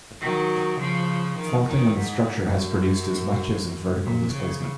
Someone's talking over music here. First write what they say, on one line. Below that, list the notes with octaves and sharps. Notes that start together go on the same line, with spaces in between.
Faulting in the structure has produced as much as of vertical displacement.
D#3 F#3
C#3 F3
D#3
D#3
G#2
F#2
A#2
C#3